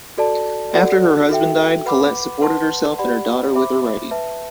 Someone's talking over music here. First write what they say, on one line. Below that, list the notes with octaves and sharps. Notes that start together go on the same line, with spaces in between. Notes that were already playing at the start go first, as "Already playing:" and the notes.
After her husband died, Colet supported herself and her daughter with her writing.
F#4 A4 D5 A5
F#4 A4 D5 F#5
F#4 A4 E5 G5
B4 F#5 B5 D6
B4 F#5 A5 C6
G4 D5 F#5 B5
C5 E5 B5 D6
B4 E5 A5